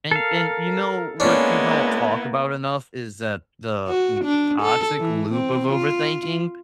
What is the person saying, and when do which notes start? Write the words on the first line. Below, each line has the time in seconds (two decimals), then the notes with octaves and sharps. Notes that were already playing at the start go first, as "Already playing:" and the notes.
And and, you know, what people talk about enough is that the u toxic loop of overthinking
0.11 A4 A#4 F5
1.20 G#3 A#3 B3 C#4 D4 E4
3.88 F#4
4.25 D4
4.62 A4
5.00 E3
5.32 C4
5.72 F4